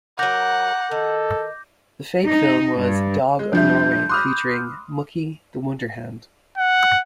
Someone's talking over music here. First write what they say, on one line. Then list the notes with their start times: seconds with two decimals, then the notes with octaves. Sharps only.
The fake film was "Dog of Norway" featuring "Muki the Wonder Hound".
0.19 F#3 A#4 F#5 D6 G6 A#6
0.91 D#3 A4
2.25 D#4
2.79 G2
3.39 G#3
3.53 F2 F3 G3 D4 E5 G6
4.09 B5 C6 D6 D#6 F6 F#6
6.58 F#5